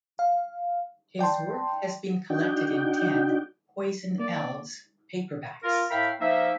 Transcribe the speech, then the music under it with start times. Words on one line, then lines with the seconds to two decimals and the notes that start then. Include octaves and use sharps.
His work has been collected in ten "Poison Elves" paperbacks.
0.19 F5
1.19 D5 G5 A5 C6
2.30 D4 D#4 F#4 G5
4.19 A#3 D5
5.63 F4 A#4
5.89 A2 A#4 E5 F5 G5 B5
6.20 F3 A#3 D#4 E5